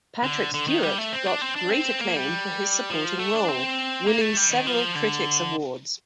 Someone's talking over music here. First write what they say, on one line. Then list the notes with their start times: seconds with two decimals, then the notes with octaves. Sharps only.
Patrick Stewart got great acclaim for his supporting role, winning several critics awards.
0.24 D3
0.54 D3
0.67 D#3
0.83 G3
0.98 A3
1.13 C4
1.26 D4
1.42 C4
1.56 D4
1.71 C4
2.01 A#3
2.16 G3
2.90 F3
3.19 A3
3.34 D4
3.49 C4
4.07 A#3
4.21 A3
4.37 G3
4.51 D#3
4.67 F3
4.96 D3